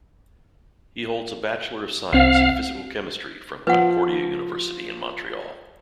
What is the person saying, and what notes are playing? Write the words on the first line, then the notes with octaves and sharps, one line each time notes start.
He holds a Bachelor of Science in Physical Chemistry from Concordia University in Montreal.
C2 C4 F5 F#5
F3 B4 F#5